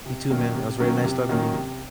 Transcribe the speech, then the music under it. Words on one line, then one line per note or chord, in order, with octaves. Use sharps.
You too, man. It was very nice talking to you.
C3
D#3 F#3 A#3 C#4
C3
D#3 F#3 A#3 C#4
C3
D#3 F#3 A#3 C#4
C3